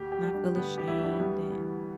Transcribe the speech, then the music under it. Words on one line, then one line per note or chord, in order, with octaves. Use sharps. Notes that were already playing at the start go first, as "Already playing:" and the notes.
not feel ashamed and
Already playing: D2 G4
G4
G3
D4
D3 B3
G4
D2 E4
D4
G3 B3
E3